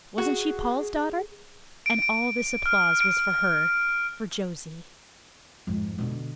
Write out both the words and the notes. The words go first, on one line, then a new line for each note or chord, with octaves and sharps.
Wasn't she Paul's daughter! And all this applause was for her--for Josie.
F#4 G#4
D7
D7
F6
D7
F2 G#2
B2 D3